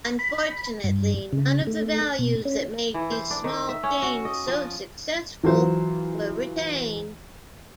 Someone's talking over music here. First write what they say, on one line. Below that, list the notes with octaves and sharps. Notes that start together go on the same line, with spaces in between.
Unfortunately, none of the values that made these small chains so successful were retained.
B5
G2
C#3
A3
B2
C#4
E3
C5
D4
D#3
E5
C#4
F#4
D#5
F3
E3 F#3 F4 C5